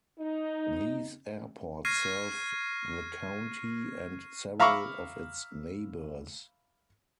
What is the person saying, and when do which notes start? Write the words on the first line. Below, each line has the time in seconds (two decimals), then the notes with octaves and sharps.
These airports serve the county and several of its neighbours.
0.19 D#4
1.85 C#6 F6 G#6 A#6 C7 D#7
4.60 E5 F5 A#5 B5 C#6 D6